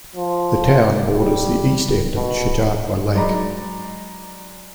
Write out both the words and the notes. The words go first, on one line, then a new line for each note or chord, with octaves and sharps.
The town borders the east end of Chautauqua Lake.
F3
G3
B2
F#3 G#3 D#4 D5 A#5 B5